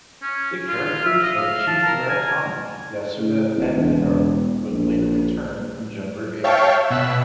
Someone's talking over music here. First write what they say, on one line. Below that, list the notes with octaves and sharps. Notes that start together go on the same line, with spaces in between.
The characters of Chief Murakami, Yasuda and Nomura would later return in "Jumborg Ace".
C#4
F4
E5
D#5
F5
A5
A#4
G#5
A2
G#1
E1
A#1
C#5 E5 F5 G5 A5 C#6
B2 E6 F#6 B6